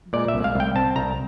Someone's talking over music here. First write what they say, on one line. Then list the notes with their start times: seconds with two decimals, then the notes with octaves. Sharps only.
but, um,
0.13 A#2 D5
0.28 E5
0.34 C2
0.44 F5
0.55 C2 G5
0.76 C4 A5
0.96 C2 A#5